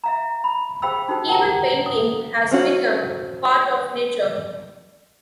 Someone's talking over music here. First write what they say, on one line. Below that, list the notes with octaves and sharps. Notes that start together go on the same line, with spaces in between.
Even painting has become part of nature.
E5 F5 A#5
B5
G#4 C5 F5 G5 B5 E6
D#4 F#4 A4 C5 G5
A#4 F#5 A5 A#5
D#6
C4 C#4 F#4